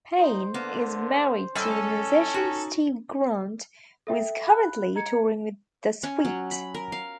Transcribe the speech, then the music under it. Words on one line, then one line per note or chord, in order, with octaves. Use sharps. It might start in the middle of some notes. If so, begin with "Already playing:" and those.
Payne is married to musician Steve Grant who is currently touring with The Sweet.
D#4 C5
D3 A#3 B3
G3 C#4 A4 D#5 G#5
D#4 F#4
A4 E5 G5
F5 B5 F#6
D#5 A#5 G#6 C#7
C#4
F#3
B5
A#4
F5